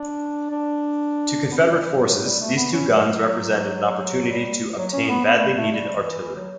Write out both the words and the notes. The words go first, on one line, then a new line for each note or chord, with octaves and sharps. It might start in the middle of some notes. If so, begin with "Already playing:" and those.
To Confederate forces, these two guns represented an opportunity to obtain badly needed artillery.
Already playing: D4
D4
D4
B3
C#4
G3
E3
F#3
F#3
G3
A3
B3
C#4
F#3
G3
F#3
C#4
B3
B3
A3
G3
A3
G3
E3
E3
F#3